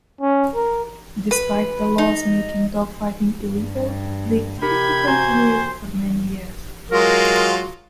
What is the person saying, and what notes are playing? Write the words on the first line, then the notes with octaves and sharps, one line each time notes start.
Despite the laws making dog fighting illegal, the activity continued for many years.
C#4
A#4
B4
D#4
G2
C3 G4 A#4 B5 G6 G#6
F#4 C5 G#5 A#5
F#3 G#3 F4 A#4